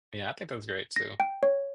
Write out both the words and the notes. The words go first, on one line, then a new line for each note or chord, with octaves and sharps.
Yeah, I think that's great too,
A#6
G5
C#5